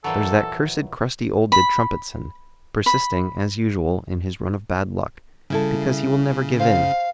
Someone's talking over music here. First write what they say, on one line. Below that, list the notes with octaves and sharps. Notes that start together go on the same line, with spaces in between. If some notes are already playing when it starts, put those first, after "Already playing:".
There's that cursed crusty old De Trumpetson, persisting, as usual, in his run of bad luck, because he will never give in.
A#2 E3 F#3 A4
B5
B5
C#3 G3 E4 A4
C5 F5